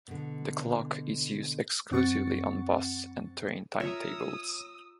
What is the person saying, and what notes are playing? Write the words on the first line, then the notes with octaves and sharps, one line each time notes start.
The clock is used exclusively on bus and train timetables.
B2 D3
F#2 C4 F#5 C#6 A6 C#7
F4 A#4 C#5 E5 D#6 E6